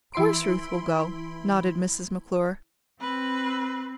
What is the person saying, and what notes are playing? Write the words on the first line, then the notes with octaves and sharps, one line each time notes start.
"Of course Ruth will go," nodded Mrs. McClure.
E3 E4 B5 C6 D7
C4 B4